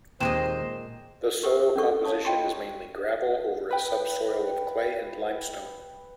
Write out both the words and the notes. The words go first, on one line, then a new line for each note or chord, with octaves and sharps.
The soil composition is mainly gravel over a subsoil of clay and limestone.
D#2 A#2 G#3 C4 C5 D#5 G5 E7
G4 A#4 B4 F#5
C#4 D4 A4 C#6
D4 C#5 F5 A5 C#6 D#6
F4 D#5 F5 G5 C6 C#6
B4 G5